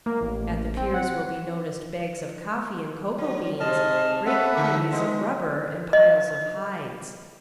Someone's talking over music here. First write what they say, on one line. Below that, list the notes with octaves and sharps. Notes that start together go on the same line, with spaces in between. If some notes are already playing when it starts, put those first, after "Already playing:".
At the piers will be noticed bags of coffee and cocoa beans, great quantities of rubber and piles of hides.
A#3
A1
C4
F#5
F#3
G#2 C3 D#5 A5 F6
C4 A4 B4 E5 F#5
D3 G#3
G#3 B3 D#4
D#5